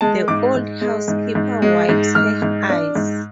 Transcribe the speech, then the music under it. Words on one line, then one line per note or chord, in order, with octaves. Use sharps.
The old housekeeper wipes her eyes.
G#3 A5
G#2 D6
G#2
G#3
G#2
G#2
G#3
G#2
G#2 F6
G#2
D4
G#2